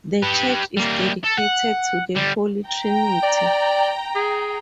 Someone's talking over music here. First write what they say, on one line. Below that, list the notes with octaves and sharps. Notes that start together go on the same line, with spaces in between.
The church is dedicated to the Holy Trinity.
G4 B4
G3 A#3
A4
F#5
D3 G3
G5 A#5
D5
G#4